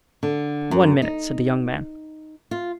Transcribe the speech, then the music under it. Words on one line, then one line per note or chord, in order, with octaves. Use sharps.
"One minute," said the young man.
D3
F#2
D#4
F4